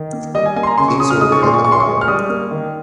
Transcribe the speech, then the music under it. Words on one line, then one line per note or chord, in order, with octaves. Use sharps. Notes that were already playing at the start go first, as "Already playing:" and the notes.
Please order at the bar.
Already playing: D#3
A#3
G3 D#5
G#5
A#3 G#5
C6
A#5
C#3 C6
C#6
C#3 D#6
F6
G#3 D#6
C#6
A#2 C6
C#6
A#2 C#6
C6
C#6
G#3
F6
G3 D#6
A#3
D#3